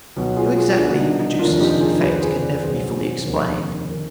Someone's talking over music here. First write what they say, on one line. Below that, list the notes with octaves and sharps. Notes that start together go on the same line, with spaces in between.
How exactly he produces his effect can never be fully explained.
B1 B2
F4 G#4
F4 G#4
C2 B2 D4
D#4
D#4
F1 D#2 D#3 D4 F4
D#4 G4
F4 G#4
F1 F2 D#3 G4 B4
B4
G#4 C5
B4 D5
B1 B2 G#4 C5
F1 D#2 D3
D#3